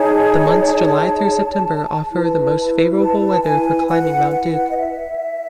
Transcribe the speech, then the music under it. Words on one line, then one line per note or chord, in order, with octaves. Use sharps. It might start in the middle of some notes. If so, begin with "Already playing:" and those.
The months July through September offer the most favorable weather for climbing Mount Duke.
Already playing: D#4 G#4 C#5 A5
E4 B4
A5
G#5
F#5
F#5
D#5
E5